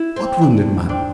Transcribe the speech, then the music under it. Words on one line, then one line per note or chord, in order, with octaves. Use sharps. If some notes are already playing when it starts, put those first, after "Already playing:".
"What wounded man?"
Already playing: E4
C4
D4
C4 D4